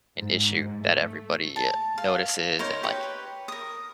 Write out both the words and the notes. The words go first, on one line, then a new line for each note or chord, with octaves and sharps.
an issue that everybody, eh, notices and, like,
G#2
A3
A5
F5
D#4 A#4 C5 C#5
G4 B4 C#5
A#4 D#6